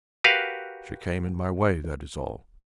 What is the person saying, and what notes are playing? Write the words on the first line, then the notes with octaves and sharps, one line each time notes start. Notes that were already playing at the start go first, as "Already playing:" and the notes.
She came in my way, that is all.
F#4 G4 A#4 B4 F5